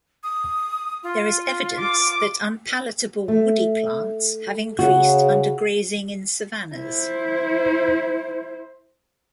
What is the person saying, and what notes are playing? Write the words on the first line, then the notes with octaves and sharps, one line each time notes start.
There is evidence that unpalatable woody plants have increased under grazing in savannas.
D#6
F4
D6
A3
C#3 F#4
E4 C5